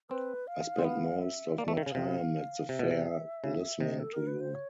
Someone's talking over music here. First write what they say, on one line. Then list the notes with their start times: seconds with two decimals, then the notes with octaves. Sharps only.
I spent most of my time at the fair listening to you.
0.10 C4 B4
0.47 F5
0.79 C4
0.84 B3
1.22 E5
1.58 A#3 D5
1.68 A3
1.71 E5
1.77 D#3
1.83 C#3 F5
1.95 C3
2.69 C3 E5
2.79 B2
2.91 C3
3.44 C#3
3.80 C3 D#5
3.99 A4
4.13 A#4
4.27 B4
4.41 C5
4.54 C#5